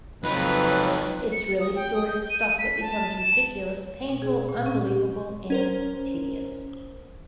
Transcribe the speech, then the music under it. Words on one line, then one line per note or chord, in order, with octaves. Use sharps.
It's really sordid stuff that becomes ridiculous, painful, unbelievable and tedious.
F2 F3 F#3 D#4 B4
C#7
D#6
G5
D#6
G6
D#7
B6
A5
E7
B2
G#4
A#2
C#4
G4
C#4 A#4 C5